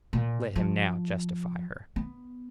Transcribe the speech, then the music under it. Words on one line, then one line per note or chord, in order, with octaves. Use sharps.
Let him now justify her.
A#2
F3
B3